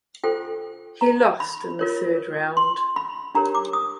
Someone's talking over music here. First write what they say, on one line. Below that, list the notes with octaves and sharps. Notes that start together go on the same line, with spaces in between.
He lost in the third round.
F4 A4 C5 G5
A#5
B5
F4 A#4 C#5
C6
B5
D4 G4 A#4 C#5 A#5
D6
D#6